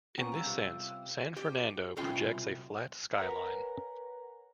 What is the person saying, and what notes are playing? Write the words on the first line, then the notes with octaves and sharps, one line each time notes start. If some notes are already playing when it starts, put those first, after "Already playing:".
In this sense, San Fernando projects a flat skyline.
B3 C#4 A#5 C#6
G3 B4 F5 E6
C3 G3 F4
G4
C2 B2 C#4 F4 G5 C6
A#4 B4 C#5 F#5 G#5 A#5